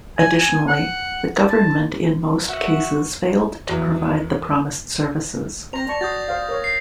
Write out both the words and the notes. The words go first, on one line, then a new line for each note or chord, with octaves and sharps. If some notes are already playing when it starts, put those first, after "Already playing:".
Additionally, the government in most cases failed to provide the promised services.
G#5
G#5
F#5
A5
F#4 E5 F#5
E2 F#3
C4 C5 A#5 A#6 F7
D5 A5 C#6
F#4 D#6 G6 A6
C5 F5
A#4 C#5
C7